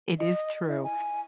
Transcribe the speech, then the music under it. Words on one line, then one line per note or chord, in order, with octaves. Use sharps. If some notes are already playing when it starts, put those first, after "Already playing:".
It is true.
D#5
E4
G#5